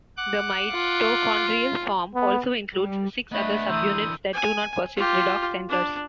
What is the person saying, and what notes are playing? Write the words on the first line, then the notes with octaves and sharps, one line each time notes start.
The mitochondrial form also includes six other subunits that do not possess redox centres.
F#5 D6 F#6
F4
B3
G3
A3 B3 D4 D#5 B5
D3 E3 A#5 C6 D#6 E6 G6
G#5
F4 G4
D4